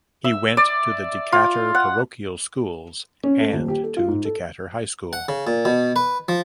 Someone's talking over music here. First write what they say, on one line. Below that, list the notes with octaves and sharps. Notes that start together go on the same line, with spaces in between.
He went to the Decatur parochial schools and to Decatur High School.
E5
D5
F4
F#5
C#4
A3
D#1
G4
A4
F4
G#2
A4
F#5
C#3
A#2
B2
B4
F3